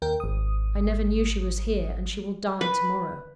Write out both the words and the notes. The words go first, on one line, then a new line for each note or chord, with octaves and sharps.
I never knew she was here, and she will die to-morrow.
D#2 A#4 G5
G#1 D#6
B4